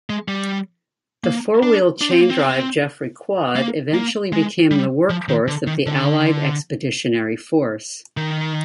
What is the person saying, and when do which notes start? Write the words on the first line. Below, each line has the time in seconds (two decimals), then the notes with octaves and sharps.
The four-wheel, chain-drive Jeffery Quad eventually became the workhorse of the Allied Expeditionary Force.
0.10 G#3
0.28 G3
1.24 A#3
1.63 D4
2.01 D4
2.11 C4
2.21 A#3
2.30 C4
3.56 A#3
3.94 A#3
4.32 G#3
4.71 G3
5.10 F3
5.28 D#3
5.48 D3
5.67 D#3
5.86 D3
8.17 D#3